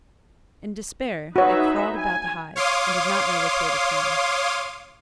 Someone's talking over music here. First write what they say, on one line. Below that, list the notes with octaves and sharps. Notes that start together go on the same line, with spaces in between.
In despair they crawled about the hive, and did not know which way to turn.
D#4 F#4 B4 C#5 E5
G#5
C#5 F5 C6 D6 D#6